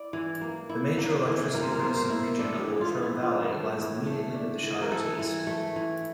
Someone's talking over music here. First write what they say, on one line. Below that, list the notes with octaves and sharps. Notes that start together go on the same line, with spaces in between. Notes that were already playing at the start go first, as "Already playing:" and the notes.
The major electricity-producing region of the Latrobe Valley lies immediately to the shire's east.
Already playing: E4 D5
E3
A#3
E4
A#3
E3
E3 A#4
C5
A#4
A#3 C5
A#4
C5
A#4
E4
D4 A4
G4
E3
F4
E3
E4
D4 F4
A3
E3
A3
D4
E3
A#4
E3 A4
E3
A3
E3